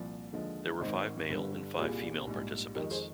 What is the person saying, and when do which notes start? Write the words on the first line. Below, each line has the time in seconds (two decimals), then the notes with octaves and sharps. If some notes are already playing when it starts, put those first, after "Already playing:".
There were five male and five female participants.
Already playing: C2 A#2 F3
0.33 D#2 D3 F3 G#3
0.81 G#1 G#2 D#3 C5 D#5
1.29 G1 G2 D3 G3
1.78 C2 A#2 G3 F4 G#4
2.26 A#1 G#2 G3
2.75 F2 D#3 G#3 G4 A#4
2.91 G#4 C5